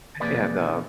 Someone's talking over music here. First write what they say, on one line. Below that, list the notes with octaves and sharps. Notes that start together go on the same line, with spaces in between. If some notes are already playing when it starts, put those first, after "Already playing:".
And, um,
F2 C3 A#3 G#4 B4 D5
D2 B2 D3 E3